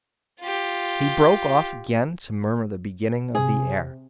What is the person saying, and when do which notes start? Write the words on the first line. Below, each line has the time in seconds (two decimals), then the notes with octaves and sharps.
He broke off again to murmur the beginning of the air.
0.40 F4 G4
3.35 C3 G#4